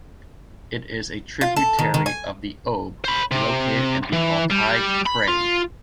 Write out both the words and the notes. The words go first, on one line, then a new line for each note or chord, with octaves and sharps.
It is a tributary of the Ob, located in the Altai Krai.
F4
A4
D#3
D#3
G#5
C5 B5
C3
E3
G3
B5
F4